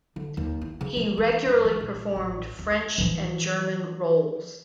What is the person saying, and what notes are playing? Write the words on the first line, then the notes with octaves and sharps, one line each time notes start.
He regularly performed French and German roles.
D3
D#2
E4
C#3
F3
E3
G2
E3
A#1
A1
D#2
E3 F3